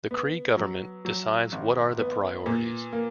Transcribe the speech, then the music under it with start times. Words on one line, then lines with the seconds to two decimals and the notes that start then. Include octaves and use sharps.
The Cree Government decides what are the priorities.
0.11 B3
0.57 F#3
1.05 F#3
1.52 G#1
1.99 B3
2.46 A#2
2.93 A#3